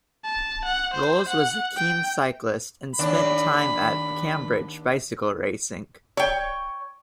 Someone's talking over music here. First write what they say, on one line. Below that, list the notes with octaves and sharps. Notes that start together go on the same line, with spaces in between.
Rolls was a keen cyclist and spent time at Cambridge bicycle racing.
A5
F#5
C5
F#5
G5
D#2 D4 B5
C#5 G5